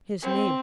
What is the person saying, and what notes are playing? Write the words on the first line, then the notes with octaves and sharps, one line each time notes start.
His name?
C4